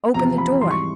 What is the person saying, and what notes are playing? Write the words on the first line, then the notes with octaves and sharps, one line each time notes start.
Open the door.
E2 C3 F3 A#5
B5
G#2 E3 G3 C6
C#6